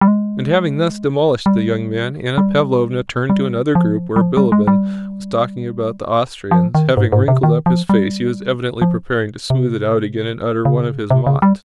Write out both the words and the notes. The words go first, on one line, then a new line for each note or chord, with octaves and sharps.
And having thus demolished the young man, Anna Pavlovna turned to another group where Bilibin was talking about the Austrians: having wrinkled up his face he was evidently preparing to smooth it out again and utter one of his mots.
G3
G#3
G3
G3
G3
F3
G3
F3
G3
G#3
G3
F3
D#3
G#2
G#2
C3
D#3
F3
G3
F3
C3
C#3
C3
C#3
G3